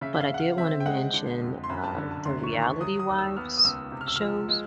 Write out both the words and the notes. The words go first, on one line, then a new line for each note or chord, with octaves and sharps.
but I did wanna mention, um, the Reality Wives Shows?
C#3 E5
E5
F5
C#3 F#5
F5
C4 E5
G5
G#3 F#5
D3
F2
C6
F#2 B5
A5
D3
A5
D2 C6
C#6
D#3
C#6
F#3 D#6
D#6
D#2
E6
B3 F6
D#6
C#2 E6
C3
F6
E6
F3 F6
G#3